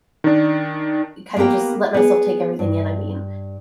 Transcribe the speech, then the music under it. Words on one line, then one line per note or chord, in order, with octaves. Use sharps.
kinda just let myself take everything in, I mean.
D#3 D4
A#3 B3 G4 A#4 G5
B3 G#4
G2